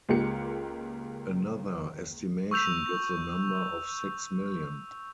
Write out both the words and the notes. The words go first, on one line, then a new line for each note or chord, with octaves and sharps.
Another estimation gives a number of six million.
C#2 G#3 A#3 G4 C#7
C#6 E6 G6 F7